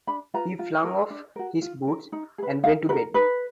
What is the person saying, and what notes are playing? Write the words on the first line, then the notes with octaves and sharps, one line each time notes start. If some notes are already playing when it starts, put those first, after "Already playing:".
He flung off his boots and went to bed.
D4 B5
F4 B4 A#5
F4
A#4
D4
F#4 A#4
F4
A#4
D#4
G#4
B4
D#4 F5
F#4 A#4 B4
D#4 B4